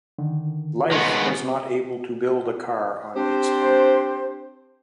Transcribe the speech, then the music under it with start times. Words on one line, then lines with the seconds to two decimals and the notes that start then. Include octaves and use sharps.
Life was not able to build a car on its own.
0.18 D3 D#3
0.91 D#3 G#3 B3 C6 C#6
3.16 C4 D4 G4 C5